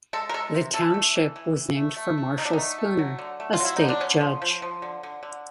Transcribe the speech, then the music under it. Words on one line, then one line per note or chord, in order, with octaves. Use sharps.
The township was named for Marshall Spooner, a state judge.
G#3 A4
A#4
G#3 A4
C3
E3 A4
A3
E3
E3
E3
A3
A3
A3
D3 D#4
D4
A3 D#4
A3
F#3
D3
A3
F4
F#3
E4
D3 D#4
D4
D3 C#4
F3
F3
F3
D3
D3
D3